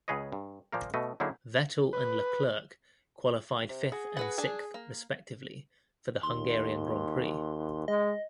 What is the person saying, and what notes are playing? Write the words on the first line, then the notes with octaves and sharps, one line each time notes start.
Vettel and Leclerc qualified fifth and sixth respectively for the Hungarian Grand Prix.
C#2 C#3 G#4 B4 C#5 D#5
G2
A#2 F3 A#3 A#4
B2 A3 D#5
D3 F#3 A#3 D#4 E4 G#4
B4
C3
F#4 G#4
F#4 B4 F#5
D4 G#5 A5
A#3
D#2 C6
G#3 D#5